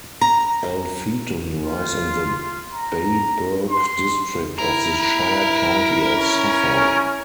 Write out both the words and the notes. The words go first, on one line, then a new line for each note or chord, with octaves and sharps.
Alpheton lies in the Babergh district of the shire county of Suffolk.
A#5
F4
A#5
C6
E4 A#4
C#4